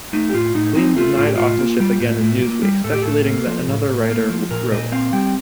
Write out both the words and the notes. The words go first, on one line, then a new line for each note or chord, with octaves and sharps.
Klein denied authorship again in "Newsweek", speculating that another writer wrote it.
A3 D#4
G4
A2 F4
A2 D#4
C4 D#4
A3 F4
A2 F4
G4
A2 F4
A#3
G3
A2
A2
A#3
G3
A2 A4
G4
A2 A4
A#3
F3
A2
A2
A#3
F3
A#2 A#4
A#2 D#5
C4 F5
G3 G5